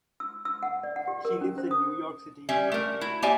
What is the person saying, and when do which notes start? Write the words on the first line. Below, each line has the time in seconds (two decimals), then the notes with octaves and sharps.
She lives in New York City.
0.20 E6
0.45 E6
0.63 F#5
0.84 D5
0.96 F#5
1.08 G4
1.25 A#4
1.41 C#4
1.58 C5
1.71 D#6
2.49 G3 C#4 E5
2.72 A3 A#4
3.01 E4 F#4
3.22 A#3 G4 C#5 D5 E5 G#5